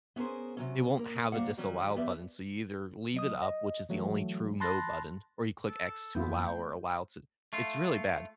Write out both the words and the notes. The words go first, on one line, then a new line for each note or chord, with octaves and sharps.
it won't have a disallow button, so you either leave it up, which is the only true "no" button, or you click x to allow or allow to it's really bad.
B3 C#4 G#4 A#4 C5
C3 F#3 C#4
A#3 A#4
A#3 G4 C5 D5 F5 F#5
D#3 F#3 G3 C#4
B3 G4 B4 D5 E5
F#3 D#5 D#6
D#5
E3 F#3 A3
A5 B5 C6 F#6 A6 A#6
A4
F2 E3 A#3 B3 E4 F4 G5
A3 G5
A3 F4